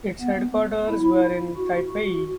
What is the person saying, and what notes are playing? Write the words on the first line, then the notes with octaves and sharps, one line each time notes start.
Its headquarters were in Taipei.
B3
E4
F#4
F#4